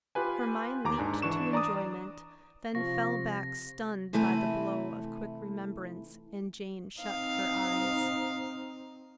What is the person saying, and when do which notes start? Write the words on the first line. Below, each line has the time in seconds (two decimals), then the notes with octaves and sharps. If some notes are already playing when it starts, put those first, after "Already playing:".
Her mind leaped to enjoyment, then fell back stunned by the blow of quick remembrance, and Jane shut her eyes.
0.15 F4 G4 B4 G#5
0.85 D#2 A#5 D6
0.98 G#2 D4 G#5
1.22 E3 D4 C#6 E7
1.53 D5 A#5 D6 D#6
2.75 C3 F3 F4 F5 C#6 A#6
4.13 C3 E3 A3 E4 G#5
7.00 C4 D#4 F5